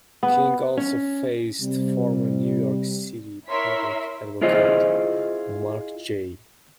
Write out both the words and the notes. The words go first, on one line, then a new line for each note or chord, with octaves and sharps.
King also faced former New York City Public Advocate Mark J.
B3
C#4
C3 G3
E4 A#4 C#5 E5 C6 B6
E4 F4 G#4 C5 D#5